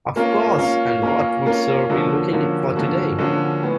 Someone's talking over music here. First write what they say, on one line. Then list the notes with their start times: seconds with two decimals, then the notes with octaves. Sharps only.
Of course, and what would sir be looking for today?
0.16 A#3 C#4 F4 A#4
0.58 A#3 C#4 F4 A#4
1.02 A#3 C#4 F4 A#4
1.46 A#3 C#4 F4 A#4
1.90 D3 F3 A#3 C#4 F#4
2.33 D3 F3 A#3 C#4 F#4
2.76 D3 F3 A#3 C#4 F#4
3.19 D3 F3 A#3 C#4 F#4
3.63 A2 B3